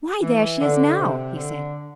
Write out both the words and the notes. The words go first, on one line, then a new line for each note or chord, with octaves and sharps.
"Why, there she is now!" he said.
E3
D3
C3
D3